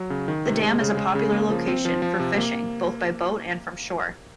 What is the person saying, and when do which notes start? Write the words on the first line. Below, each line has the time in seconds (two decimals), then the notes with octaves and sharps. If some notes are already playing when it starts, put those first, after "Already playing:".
The dam is a popular location for fishing, both by boat and from shore.
Already playing: F#3
0.10 C#3
0.28 D#3
0.46 C3
0.62 G#3
0.80 C#3
0.97 G#3
1.15 C#3
1.32 A#3
1.50 F3
1.68 C4
1.85 F3
2.02 F3
2.19 C3
2.37 A#3